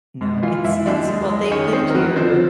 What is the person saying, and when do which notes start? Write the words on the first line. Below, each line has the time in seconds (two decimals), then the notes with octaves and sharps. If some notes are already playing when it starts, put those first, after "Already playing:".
No, it's it's Well, they've lived here,
0.21 G#2
0.43 E3 F4 F5
0.65 G#2 E4 E5
0.86 D#2 D4 D5
1.08 G#3
1.30 G#3
1.51 D#3 C#4 C#5
1.73 D#3 C4 C5
1.90 A#4
1.95 F#3 B3 B4
2.16 F3 C4 C5